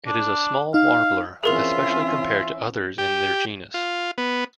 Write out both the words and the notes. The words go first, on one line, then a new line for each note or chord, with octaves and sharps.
It is a small warbler, especially compared to others in their genus.
D4
D#4 F5
E3 C4 C#4 F4 G#4 A#4 E5 F7
G4
F4
B3